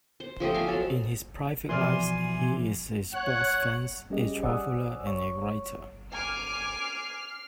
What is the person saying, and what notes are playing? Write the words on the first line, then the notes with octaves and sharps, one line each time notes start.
In his private life, he is a sports fan, a traveller and a writer.
C5
F3 A3 G4 D#5
F5 G#5
F#3 A4
B2 E3 F3 D5 G#5 C6 F6
C#5 F#5 F#6
G3 C#4 G4 G#4 D#5
C5 D5 F#5 G#5 D#6 E6
C#5 C#6
G#5 D6 F6 C7